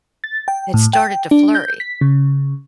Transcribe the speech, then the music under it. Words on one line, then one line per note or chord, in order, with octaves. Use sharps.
it started to flurry,
A6
G5
A2
G5
D4
G6
B6
C#3